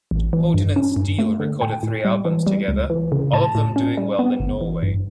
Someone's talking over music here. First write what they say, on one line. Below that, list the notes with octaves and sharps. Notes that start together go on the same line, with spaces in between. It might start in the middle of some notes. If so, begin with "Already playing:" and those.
Holton and Steel recorded three albums together, all of them doing well in Norway.
A1
E3
G2
C#4
G2
A3
D3
A2 G5
A2
G3
E3
G3
C#2
E3
C#3
A2 A5
A2
C#4
G3
B3
G1
E3
G2